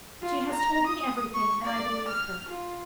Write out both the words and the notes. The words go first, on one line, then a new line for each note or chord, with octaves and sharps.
She has told me everything and I believe her.
F4
A#5
D#6
C#6
D5
F6
F4